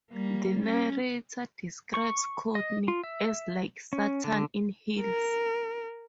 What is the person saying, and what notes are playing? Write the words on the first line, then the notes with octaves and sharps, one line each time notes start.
The narrator describes Courtney as "like Satan in heels".
G3 A#3
C#4
C#6
D#5
F4
E5
C#4
D3
A#4